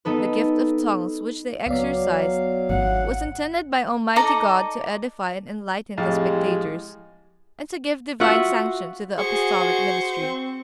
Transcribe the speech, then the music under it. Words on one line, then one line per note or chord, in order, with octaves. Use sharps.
The gift of tongues which they exercised was intended by Almighty God to edify and enlighten the spectators, and to give Divine sanction to the Apostolic ministry.
B3 D#4 A4 B4
C#2 F#3 B3 D5 F5
G#1 F#5
D#4 A4 D5 A#5
F2 A2 F3 G#3 E4 G4 F5
F4 F#4 E5 F#5
F#4 G#4 C5 C#6
C4